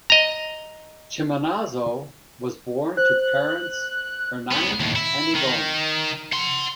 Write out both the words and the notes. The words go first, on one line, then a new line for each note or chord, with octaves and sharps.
Chiminazzo was born to parents Ernani and Ivone.
D#5 A#5
C5 F#6
C2 B3
D#2 A2
E4
D#3
F#5 C6